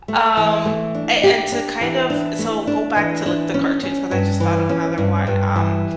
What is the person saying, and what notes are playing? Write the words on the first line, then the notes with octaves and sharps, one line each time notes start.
Um, a and to kind of so go back to, like, the cartoons cause I, just, thought of another one, um,
A3
E3
A3
D4
G4
D4
E3
D4
A3
D4
E3
D4
C#4
C#4
G2
E3
C#4
G2
G2
E3